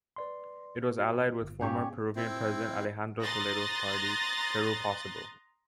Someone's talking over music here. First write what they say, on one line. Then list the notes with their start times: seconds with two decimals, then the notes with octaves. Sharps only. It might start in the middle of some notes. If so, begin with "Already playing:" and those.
It was allied with former Peruvian president Alejandro Toledo's party, Peru Possible.
0.16 B4 D5 C6
0.98 F#4
1.42 G1
1.61 G#2 C#3 G4 C#6
2.16 C4 E4
3.22 A#5 C6 D#6 F#6 A6 A#6